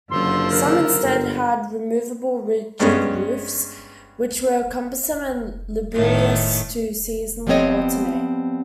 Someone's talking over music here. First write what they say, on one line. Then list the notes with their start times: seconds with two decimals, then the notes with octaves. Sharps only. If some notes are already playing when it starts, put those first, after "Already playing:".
Some instead had removable rigid roofs, which were cumbersome and laborious to seasonally alternate.
0.11 F#1 F#2 D3 F3 C6 E6
0.52 A#4
0.97 G1
2.80 G2 G#3 B3 C#4
5.94 A2 D#3 A3
7.47 F3 G3 B3 C4 C#5 D#5